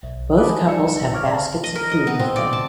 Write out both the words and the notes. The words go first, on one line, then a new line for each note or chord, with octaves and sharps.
Both couples have baskets of food with them.
B1
G#5 A5 B5 D6 D#6 F#6
G3 D#4 B4 D5 E6 C#7
C#5 F5 C#6 D6 F6 G#6
D5 F5 A5
D#5
A#4
D#5
B3
C4
D5
A5